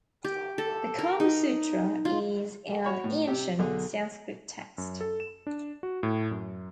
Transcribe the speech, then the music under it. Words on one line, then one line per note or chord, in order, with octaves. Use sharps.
The "Kama Sutra" is an ancient Sanskrit text.
G4
A4
A#4
D#4
F4
F#4 C#5 B5
A2
C3 G4
B1 D3 G#4
F#2
A4
E7
D4
F#4
A2
F#2